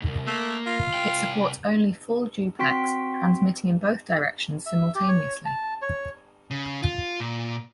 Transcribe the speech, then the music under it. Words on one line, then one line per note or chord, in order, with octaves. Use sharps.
It supports only full-duplex, transmitting in both directions simultaneously.
C2 G#2
A3 A#3
F4
C2 G5
C4 F#4 G5 C6 B6
E5
G4
C#5
A5
C#5
C#3
F4
A#2